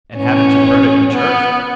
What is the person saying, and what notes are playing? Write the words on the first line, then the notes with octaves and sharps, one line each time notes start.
"And haven't you heard it in church?"
A2 E3 C#4
B3